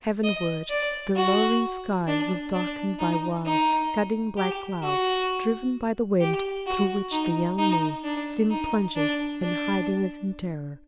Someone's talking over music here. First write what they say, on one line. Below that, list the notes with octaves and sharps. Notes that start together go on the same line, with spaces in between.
Heavenward, the lowering sky was darkened by wild, scudding, black clouds, driven by the wind, through which the young moon seemed plunging and hiding as in terror.
D#5
D5
F#4
D4
D4
D#4
D#4
G4
F#4
G4
F#4
D#4
D#4
D4
D#4
D4
D4